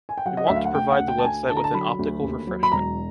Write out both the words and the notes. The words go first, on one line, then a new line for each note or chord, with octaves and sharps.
We want to provide the website with an optical refreshment.
G#5
G5
F#3 F#5
D#5
D2 E5
F5
F#5
D2 G5
F#5
D2
G5
A5
D2 G#5
D3 A5
A#5
A5
F#3 B5
D2
D#2
F#3
B5
E1 A#5